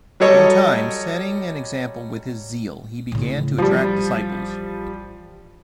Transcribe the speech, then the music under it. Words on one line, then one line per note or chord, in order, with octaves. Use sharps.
In time, setting an example with his zeal, he began to attract disciples.
F#3 G3 A4 C#5 D#5
A2 C#3
A1 F3 G3